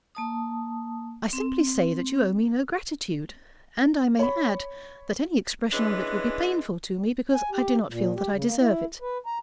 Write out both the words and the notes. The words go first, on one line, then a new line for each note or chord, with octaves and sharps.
'I simply say, that you owe me no gratitude; and I may add, that any expression of it will be painful to me, because I do not feel that I deserve it.
A#3 A5 D#6
C4
C#5 B5
E3 G#3 B3 C#4 D4
G#5
G4
A#2
G4
C#3
A#3
E4
B4
A#5